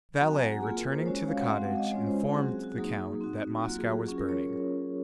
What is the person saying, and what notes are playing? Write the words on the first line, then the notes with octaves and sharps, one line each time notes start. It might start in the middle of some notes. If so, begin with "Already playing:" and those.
The valet, returning to the cottage, informed the count that Moscow was burning.
F#3 C4 F#4 A#5
G#5
F#5
G#4
A#3 F4 G#4
A#4
C5
G#3 C#4 F#4 C#5
C#5
F5
F#5
G#3 C4 F#4 F5
F#5
D#5
G#3 C#4 F4 C#5
C5
F#3 C4 F#4 G#4
F#4
F#4
F#3 A#3 D#4 G#4
C4 D#4 F#4
F#3 A#3 F4 F#4
G#4
G#4
F#3 C#4 F4 G#4
A#4
C#5